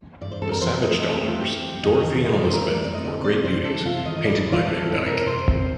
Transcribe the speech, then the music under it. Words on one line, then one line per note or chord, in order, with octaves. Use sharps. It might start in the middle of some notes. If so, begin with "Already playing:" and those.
The Savage daughters, Dorothy and Elizabeth, were great beauties, painted by Van Dyck.
G2 D5
C5
C4 A4
A#4
F3 C5
A3 D#5
C4 A4
G4
A3
F4
C4 G4
C4
F2 D#5
D#3
A3 D#5
D5
F2 C5
A#4
A3
D5
C4 D5
D#5
D3 D5
C4 D5
C3 C5
C3 A4
C3 F4
D#3 D#5
D#5
A2 D5
D5
A2
F4
A2 A4
C4
C3 A#4
C3 C5
C4